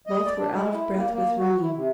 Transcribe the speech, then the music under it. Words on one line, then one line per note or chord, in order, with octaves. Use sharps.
Both were out of breath with running.
D#5
D5
D4
G#3
E4
A#3
A#3
F#4
E4
C3